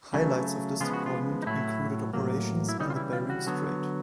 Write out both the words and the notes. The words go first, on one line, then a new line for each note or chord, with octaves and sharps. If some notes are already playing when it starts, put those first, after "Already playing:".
Highlights off this deployment included operations in the Bering Strait.
C#3 F#3 A3
C#3 F3 G#3 B3 F4
F#4
F4
D#4
A2 F#3 A3 E4
A2 F#3 A#3
E4
C#3 E3 G3 D#4
F4
E4
F4
F#4
D3 F#3 B3